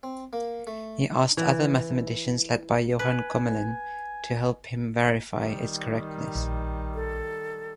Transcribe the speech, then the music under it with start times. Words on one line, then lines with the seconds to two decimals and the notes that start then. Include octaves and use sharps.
He asked other mathematicians led by Johan Commelin to help him verify its correctness.
0.03 C4
0.33 A#3
0.67 A3
1.37 E3
2.99 B4 G#5
5.38 D#3 G3
6.35 A#1
6.95 A4